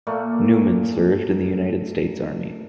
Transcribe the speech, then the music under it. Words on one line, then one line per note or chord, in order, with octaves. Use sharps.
Newman served in the United States Army.
A#2 A3 A#3